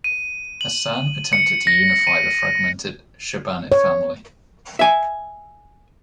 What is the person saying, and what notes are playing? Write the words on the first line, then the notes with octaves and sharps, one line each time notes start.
Hasan attempted to unify the fragmented Chobanid family.
D#7
F#7
C#7
A#6
D#7
C#5
E5 G#5